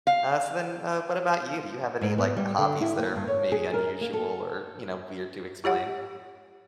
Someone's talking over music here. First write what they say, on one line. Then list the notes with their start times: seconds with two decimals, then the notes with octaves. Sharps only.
Uh, so then, uh, what about you? Do you have any, like, hobbies that are maybe unusual or, you know, weird to explain?
0.07 F5
2.01 G#2
2.18 B3
2.37 G3
2.58 D3
2.81 E4
2.99 A#3
3.16 G2
3.28 C#5
3.52 G#4
3.74 A#4
4.01 A#3
4.13 A4
5.64 F4 G4 C#5 F#5